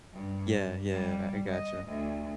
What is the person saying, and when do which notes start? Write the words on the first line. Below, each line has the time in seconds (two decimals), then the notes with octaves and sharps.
Yeah, yeah, I I gotcha.
0.13 G2
0.92 G3
1.51 D#5
1.86 D2